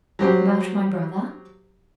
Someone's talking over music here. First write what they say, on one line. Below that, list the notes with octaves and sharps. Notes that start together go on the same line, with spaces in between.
"About my brother?"
F#3 G4 C5